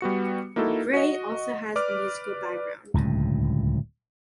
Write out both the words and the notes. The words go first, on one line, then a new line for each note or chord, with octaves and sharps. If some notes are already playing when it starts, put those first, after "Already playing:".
Gray also has a musical background.
G3 B3 F#4 C#7
A#3 D#4 E4 F#4 A4
F#4 D#5
B4 D5 D6 F6
D1 C#2 G2